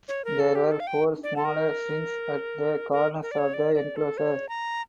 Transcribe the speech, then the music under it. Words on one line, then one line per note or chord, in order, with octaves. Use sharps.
There were four smaller shrines at the corners of the enclosure.
C#5
A#4
A4
G4
A4
F5
G5
D5
A4
A#4
A#4
A#4
D5
C#5
D5
D5
A4
C#5
A#5